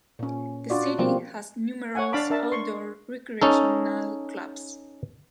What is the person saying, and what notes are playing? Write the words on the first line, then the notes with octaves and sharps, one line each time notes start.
The city has numerous outdoor recreational clubs.
A#2 C#4
D4 F4 F#4 D5
B2 F3 G3 A#3 C4 F4
C#5 F#5 G#5
D4 F5 A5 B5 D6
D4 A#4 E5 A5
C6 C#6
C#4 D#4 A4